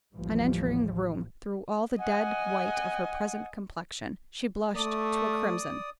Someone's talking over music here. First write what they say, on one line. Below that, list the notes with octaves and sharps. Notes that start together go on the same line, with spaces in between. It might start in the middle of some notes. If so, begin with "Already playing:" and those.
On entering the room, through all the dead white of her present complection, she blushed to a crimson.
A1 D#2 A2 E3 F3 G3
D#5 F#5 G#5
A3 D5 D#6